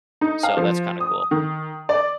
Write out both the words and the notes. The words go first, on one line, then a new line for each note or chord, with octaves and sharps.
So that's kinda cool.
D#4
F5
F3
D#6
D#3
D5